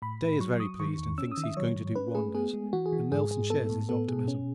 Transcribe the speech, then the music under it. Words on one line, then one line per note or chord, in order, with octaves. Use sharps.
Day is very pleased and thinks he's going to do wonders, and Nelson shares his optimism.
A2 B5
A2
F#3 C#6
F#3 D#6
D#3 C#6
E2
C#4 E6
D#6
D#3
E5
F#3 C#5
G#2
C#4 B4
A3 G#4
B3 G#4
G#3
E3 F#4
G#4
E3
G#2 G#4
G#2 G#4
B3 A4
A2
B3 A4
B2 G#4
C#4